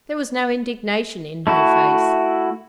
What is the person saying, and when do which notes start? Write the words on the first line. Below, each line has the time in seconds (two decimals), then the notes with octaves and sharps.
There was no indignation in her face.
1.47 A3 E4 F#4